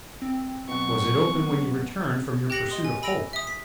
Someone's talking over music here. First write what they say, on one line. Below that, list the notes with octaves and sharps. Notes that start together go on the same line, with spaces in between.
'Was it open when you returned from your pursuit of Holt?'
C4 G5
B2 F#3 F#4 C#6
G4 G5 F#6 A#6 C#7 F#7
D#5 C6 D#6
G#5
G#5 B5 E6 A#6 D7 F7
E5 D#6
B6